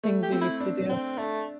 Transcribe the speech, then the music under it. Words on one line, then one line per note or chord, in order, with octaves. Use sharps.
things you used to do.
A3
G4
C4
E4
D4
C4
A3 D4